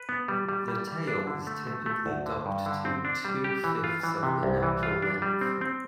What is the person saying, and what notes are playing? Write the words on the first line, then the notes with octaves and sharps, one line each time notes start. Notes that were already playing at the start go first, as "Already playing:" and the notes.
The tail is typically docked to two-fifths of the natural length.
Already playing: B4
B3
G3
G3
G3
G3
D4
D3
A3
A3
A3
D2
D3
G2
D3
C4
D4
G3
G4
E3
F4
E3
C3
C2
E3
F4
D4
G3
C4
C4